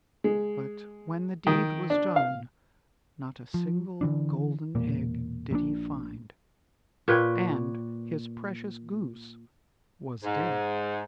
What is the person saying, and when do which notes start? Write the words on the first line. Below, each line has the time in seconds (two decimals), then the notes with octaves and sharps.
But when the deed was done, not a single golden egg did he find, and his precious Goose was dead.
0.24 G#3
1.47 D#3
1.90 D4
2.16 F5
3.54 F3
4.01 D3 E3 D4
4.75 E1 A#2 A#3
5.51 A#1 A#2 D3 D4
7.08 A#2 B4 C#5 G5
10.23 G#2